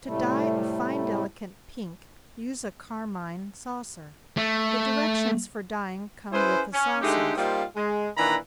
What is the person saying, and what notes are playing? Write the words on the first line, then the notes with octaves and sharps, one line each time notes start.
To dye a fine delicate pink, use a carmine saucer--the directions for dyeing come with the saucers.
A2 C3 G3 A3
A3
C#4 E4 G#4 B4 C5
C#4
D3 G#3 A3 D#4 G4
G3 A#3 D#4 F4 C5
G#3
A#2 D#3 E3 D4 A#5 B5